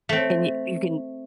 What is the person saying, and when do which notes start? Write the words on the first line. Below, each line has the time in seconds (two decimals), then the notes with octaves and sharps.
and you you can
0.09 A3 C4